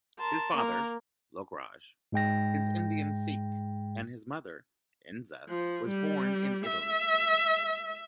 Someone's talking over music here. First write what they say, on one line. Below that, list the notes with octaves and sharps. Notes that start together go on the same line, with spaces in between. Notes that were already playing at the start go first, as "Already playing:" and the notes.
His father, Lokraj, is Indian Sikh and his mother, Enza, was born in Italy.
A#4 A5 C6
A#3 A#4
G#2 G#3 G5 A#6
F3
G3
E5